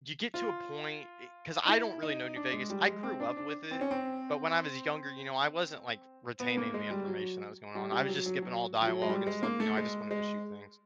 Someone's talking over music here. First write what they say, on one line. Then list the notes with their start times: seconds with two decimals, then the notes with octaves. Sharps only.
You get to a point e 'cause I don't really know New Vegas, I grew up with it, but when I was younger, you know, I wasn't, like, retaining the information that was going on, I was just skipping all dialogue and stuff, you know, I just wanted to shoot things.
0.34 F4
1.65 D#4
1.69 E4
2.02 D#4
2.36 D4
2.52 G#3
2.70 G3
2.87 G#3
3.03 C4
3.20 D4
3.37 D4
3.71 C4
3.81 C#4
3.91 C4
6.40 B3
6.57 A#3
6.74 G#3
6.90 G3
7.08 F#3
7.75 G3
7.92 G3
8.08 F#3
8.26 F#3
8.42 F#3
8.82 F3
8.87 F#3
9.02 G#3
9.09 G3
9.27 G#3
9.43 A#3
9.60 A3
9.77 G#3
10.11 G#3